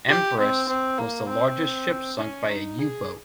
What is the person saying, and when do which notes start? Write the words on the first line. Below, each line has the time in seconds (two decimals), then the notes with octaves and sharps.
"Empress" was the largest ship sunk by a U-boat.
0.08 G4
0.39 C4
0.68 C4
0.98 A#3
1.29 C4
2.19 C#4
2.49 D#4
2.79 G#4